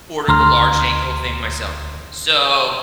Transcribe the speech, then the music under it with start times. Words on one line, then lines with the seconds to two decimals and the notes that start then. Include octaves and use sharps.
ordered the large and ate the whole thing myself. So
0.28 D2 A#5 C6 F6